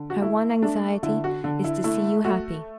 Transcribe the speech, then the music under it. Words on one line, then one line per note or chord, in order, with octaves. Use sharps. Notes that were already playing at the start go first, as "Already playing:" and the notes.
Her one anxiety is to see you happy.
Already playing: D3
F#4
A3 E4
A3 D4
D3 E4
F#4
D3
E4
A3 E4
A3 F#4